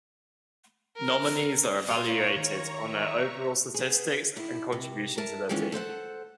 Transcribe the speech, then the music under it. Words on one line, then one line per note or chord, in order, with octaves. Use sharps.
Nominees are evaluated on their overall statistics and contribution to the team.
A#4
A#2 F4 C#5 A#5 C#6
D#3
E5 A#5 C#6
B3 G#4
D#3 E4
C3
A#4 E5 A5
D#3 E3 G#3 B3 C#4 F4
A4 C5 E5 F#5